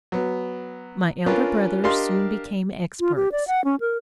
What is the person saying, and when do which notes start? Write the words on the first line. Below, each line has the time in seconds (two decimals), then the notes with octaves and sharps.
My elder brothers soon became experts.
0.12 F#3 B3
1.26 C#4 D4 F4 A#4 B4
1.84 D4 G4 A#4 D#5 F5 C6
3.00 F4
3.16 G4
3.32 D5
3.47 F#5
3.64 C#4
3.80 A#4